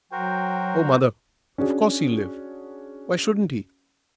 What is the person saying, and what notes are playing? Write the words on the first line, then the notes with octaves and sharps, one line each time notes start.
"Oh, mother, of course he'll live; why shouldn't he?"
F#3 F#4 A#4 C5 G5
C#4 D4 F#4 G#4